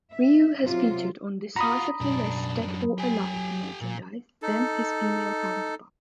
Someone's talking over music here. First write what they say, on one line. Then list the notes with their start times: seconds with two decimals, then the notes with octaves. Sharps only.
Ryu has featured on decisively less "Dead or Alive" merchandise than his female counterparts.
0.12 E5
0.62 C3 F#3 F4
1.56 F4 F#4 A#5 B5 D#6
2.01 F#2 B2 D4
2.66 F#3
2.98 G4 G#5
3.81 A#2
4.42 D#4 A4